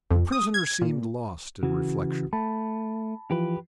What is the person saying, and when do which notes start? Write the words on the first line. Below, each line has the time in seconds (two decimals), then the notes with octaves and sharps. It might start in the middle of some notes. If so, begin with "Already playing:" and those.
The prisoner seemed lost in reflection.
0.11 F2
0.32 D#6
0.54 G#6
0.81 A#2
1.63 C#3 E3 F#4
2.33 A3 A5 B5
3.31 E3 F3 F4 G4 B4